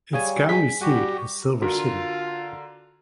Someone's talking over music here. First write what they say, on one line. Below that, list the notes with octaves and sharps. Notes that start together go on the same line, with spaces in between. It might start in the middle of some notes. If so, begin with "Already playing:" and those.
Its county seat is Silver City.
G3 G#4 C#5 F5 G#5
G#4 G#5 B6
G3 F#4 G4 F#5
D3 F4 F#4 A#4